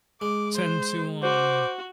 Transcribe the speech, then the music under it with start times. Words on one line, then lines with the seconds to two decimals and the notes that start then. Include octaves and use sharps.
tend to, um
0.21 G#3 D6
0.55 C5
1.23 F#4 C5 D6